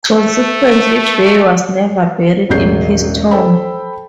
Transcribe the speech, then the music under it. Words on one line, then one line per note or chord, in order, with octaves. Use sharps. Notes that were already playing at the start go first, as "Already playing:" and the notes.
Consequently, Bay was never buried in his tomb.
A3
E1 A1 F#3 G#3 G6 C7
A4 C5 G5 B5